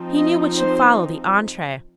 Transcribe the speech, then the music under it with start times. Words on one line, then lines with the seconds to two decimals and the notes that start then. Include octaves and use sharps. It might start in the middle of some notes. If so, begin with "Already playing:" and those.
He knew what should follow the entree.
Already playing: F3 C4 D#4
0.18 D#5
0.58 C5